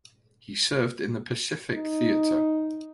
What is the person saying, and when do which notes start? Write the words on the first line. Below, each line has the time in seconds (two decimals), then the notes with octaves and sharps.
He served in the Pacific theater.
1.73 D#4